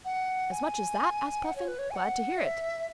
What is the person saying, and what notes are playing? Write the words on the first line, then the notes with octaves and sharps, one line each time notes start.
"As much as that?" asked Puffin, "Glad to hear it."
F#5
G#5
F#5
C#5
B4
C#5
G#5
F#5
E5